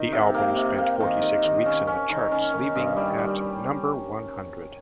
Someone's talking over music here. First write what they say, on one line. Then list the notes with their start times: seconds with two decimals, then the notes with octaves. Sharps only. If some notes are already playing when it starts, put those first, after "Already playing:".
The album spent forty-six weeks in the charts, leaving at number one hundred.
Already playing: D#3 D#4
0.12 C3
0.34 A#3
0.56 C3
0.78 A#3
1.00 D#3
1.21 D#3
1.44 D#3
1.66 C#4
1.87 C#4
2.09 D#3
2.32 C#4
2.53 D#3
2.75 G2
2.96 G3
3.18 G3